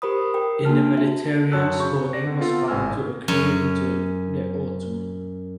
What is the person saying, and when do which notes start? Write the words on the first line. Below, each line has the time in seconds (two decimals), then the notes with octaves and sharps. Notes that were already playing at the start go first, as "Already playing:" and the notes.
In the Mediterranean spawning was found to occur into the Autumn.
0.02 G4 A#4 C5 B5 D#6
0.34 A#4 G5
0.65 A#3 D4 F#4 A5 F6
0.97 E5
1.52 F#2 F#4 C#5 A5 E6 F#6
1.79 C#3 C#6 G6
2.13 D5 A#6
2.27 D3 C4
2.41 B3 F4 A4
2.68 G#1 A2 G#5 E6 F6
3.28 F#2 C#4